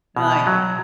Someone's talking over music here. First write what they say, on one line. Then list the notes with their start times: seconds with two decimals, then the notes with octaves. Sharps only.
and like
0.16 B2
0.47 F#3